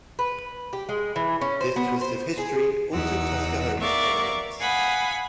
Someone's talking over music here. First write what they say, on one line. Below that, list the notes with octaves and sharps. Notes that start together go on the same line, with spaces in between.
This twist of history altered Tuskahoma's prominence.
B4
G4
G#3
E3
C#4
C5
B3
C5
G#4
E2 D#4 F#5 E6
B3 A#4 D5 E5 F5 C#6
F5 F#5 G#5 B5 D#6